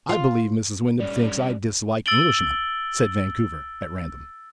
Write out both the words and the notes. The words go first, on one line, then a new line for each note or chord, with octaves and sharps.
"I believe Mrs. Wyndham thinks I dislike Englishmen," said Vancouver at random.
F4
G3 C#4 D5
E6 A6 D7 F#7 G7